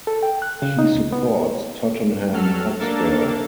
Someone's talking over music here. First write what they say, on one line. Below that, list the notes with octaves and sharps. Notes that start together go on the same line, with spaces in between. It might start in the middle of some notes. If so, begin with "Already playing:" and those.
He supports Tottenham Hotspur.
A4
G5
F#6
C#3
D#4
C#2
B3
F#3 A4 F6
A#3 D4 A4 A#4 A6